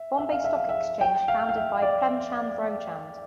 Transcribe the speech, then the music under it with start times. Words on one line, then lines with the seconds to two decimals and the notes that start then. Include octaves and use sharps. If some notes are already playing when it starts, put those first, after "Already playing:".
Bombay Stock Exchange founded by Premchand Roychand.
Already playing: E5
0.18 E5
0.32 F5
0.44 E5
0.57 F5
0.69 E5
1.01 G5
1.28 F5
1.49 F5
1.56 E5
1.82 D5